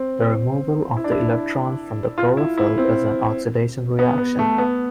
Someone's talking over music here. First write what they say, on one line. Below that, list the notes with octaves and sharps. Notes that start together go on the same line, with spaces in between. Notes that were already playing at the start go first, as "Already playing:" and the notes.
The removal of the electron from the chlorophyll is an oxidation reaction.
Already playing: C4
E4
D4
E4
F4
E4
E4
C4
B3
B3
A3
B3